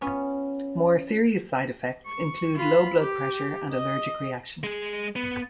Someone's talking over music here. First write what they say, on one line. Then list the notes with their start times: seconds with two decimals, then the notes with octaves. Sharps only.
More serious side effects include low blood pressure and allergic reaction.
0.01 B3 C#4 F4
2.06 C#6
2.55 F4 B5
2.99 G4
3.71 D#5
4.63 G#3 G#4
5.16 B3